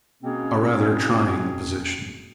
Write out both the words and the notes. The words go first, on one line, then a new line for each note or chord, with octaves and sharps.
A rather trying position.
B2 A#3 C4 C#4 G#4